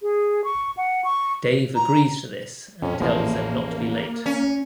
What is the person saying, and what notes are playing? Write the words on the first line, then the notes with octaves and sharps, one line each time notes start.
Dave agrees to this, and tells them not to be late.
G#4
C#6
F#5
C#6
A#5
F2 C#4
A1 E2 F3 A#3
C#4